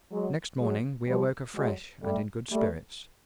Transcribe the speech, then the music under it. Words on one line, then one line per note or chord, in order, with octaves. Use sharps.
Next morning, we awoke fresh and in good spirits.
F#3 G#3
F#3 G#3
F3 G3
F#3 G#3
G3 A3
G3 A3